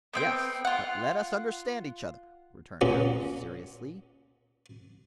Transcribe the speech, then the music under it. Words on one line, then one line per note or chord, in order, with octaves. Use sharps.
"Yes, but let us understand each other," returned Athos, seriously.
B3 C4 G5
F4 F#5
C#2 A#2 C#4